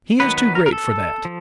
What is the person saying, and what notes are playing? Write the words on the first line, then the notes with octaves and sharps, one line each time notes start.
He is too great for that.
D#3 F#3 B3 B4
B4
A#4
A#4
A4
F3